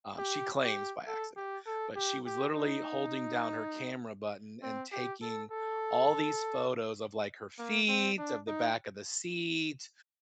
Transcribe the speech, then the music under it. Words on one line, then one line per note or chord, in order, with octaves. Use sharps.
Um, she claims "by accident," but she was literally holding down her camera button, and taking all these photos of, like, her feet, of the back of the seat,
G4
G4
A4
G4
A4
G4
G4
D#4
C4
G4
A4
A4
A#3
C4
D4
D#4